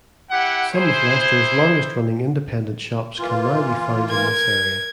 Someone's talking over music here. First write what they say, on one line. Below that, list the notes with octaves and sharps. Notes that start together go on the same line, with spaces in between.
Some of Leicester's longest running independent shops can now be found in this area.
E4 G4 F#5
E4 G#4 C5
E3 A#3 F4
A#4 G#6